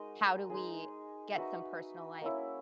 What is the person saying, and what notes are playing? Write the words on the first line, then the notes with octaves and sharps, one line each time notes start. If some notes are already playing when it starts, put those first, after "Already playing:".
How do we get some personal life
Already playing: G#3 D#4 F#4 A#4 D#5
G#3 D#4 G#4
D#4 F#4 B4 E5
A#3 C#4 E4